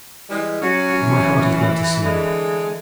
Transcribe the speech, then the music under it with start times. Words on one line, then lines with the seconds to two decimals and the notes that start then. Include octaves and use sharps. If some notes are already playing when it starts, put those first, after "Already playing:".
But my heart is glad to see you.
0.30 E3 G3 G#3
0.62 F#3 C#4 F#4
0.97 E3
2.04 D3 G#3